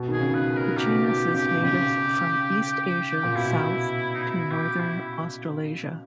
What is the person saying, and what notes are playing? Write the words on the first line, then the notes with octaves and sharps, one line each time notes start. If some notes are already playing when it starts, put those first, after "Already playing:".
The genus is native from east Asia south to northern Australasia.
Already playing: B2
D#3 G#4
C#3
B4
A#4
B2 G4
G4
C#3 G4
B2
C#3 G4
A#2
B2 E4
D#4
E4
G4
E4